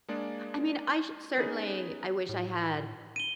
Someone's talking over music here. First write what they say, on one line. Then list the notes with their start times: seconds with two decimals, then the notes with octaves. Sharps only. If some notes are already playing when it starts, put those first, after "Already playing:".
I mean, I sh certainly, I wish I had
0.08 G#3 A#3 D4 G#4 D5
1.38 B3 C#4 D#4 G#4 B4
2.29 A2
3.16 D#7 G7